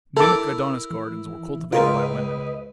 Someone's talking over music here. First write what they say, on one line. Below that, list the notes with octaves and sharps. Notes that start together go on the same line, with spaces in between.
Mimic Adonis gardens were cultivated by women.
E4 A4 A#4 D6
E3
C#2 F4 A#4 B4 D#5 G5